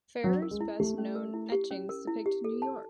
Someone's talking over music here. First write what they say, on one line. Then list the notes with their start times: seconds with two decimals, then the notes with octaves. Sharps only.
Farrer's best known etchings depict New York.
0.24 F#3 C#4
0.42 A#4
0.51 G#3
0.61 E4
0.80 A3 G4
0.98 C#4
1.15 A#4
1.34 E4
1.52 G4
1.71 C#4
1.89 A#4
2.07 E4
2.26 G4
2.44 A4
2.62 A5